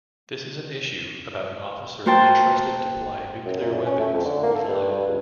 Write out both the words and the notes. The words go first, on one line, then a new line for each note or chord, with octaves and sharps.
This is an issue about an officer, entrusted to fly nuclear weapons, who lied.
A#3 F#4 C5 G5 A5
F#2
A#2
A2
C#4
A3
F2
D3
A#3
A4
G2
G2
C#2